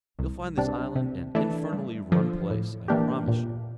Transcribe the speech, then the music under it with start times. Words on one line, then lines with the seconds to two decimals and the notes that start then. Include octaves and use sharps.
You'll find this island an infernally rum place, I promise you.
0.19 C2
0.57 C3 G3 D4
0.95 C3
1.35 E3 A3 D4
1.72 G2
2.12 D3 F3
2.50 A2
2.88 E3 A#3 D4 G4
3.28 A#2